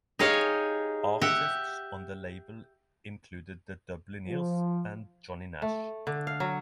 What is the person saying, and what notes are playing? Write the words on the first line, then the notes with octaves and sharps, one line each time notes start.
Artists on the label included the Dubliners and Johnny Nash.
D#4 G4 G#4 C#5 F5
G4 E5 F#5
F3
A3
D3
F5
F#3